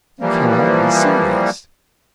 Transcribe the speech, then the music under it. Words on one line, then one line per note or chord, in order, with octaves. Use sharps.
"You cannot be serious."
E3 F3 G3 A#3